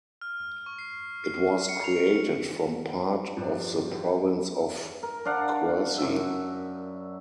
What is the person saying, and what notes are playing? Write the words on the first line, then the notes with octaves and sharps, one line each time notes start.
It was created from part of the province of Quercy.
F6
C#6
C7
C7
C#7
F7
G2 F3
A#4
D4 D5 F5 F#5
F#2 E5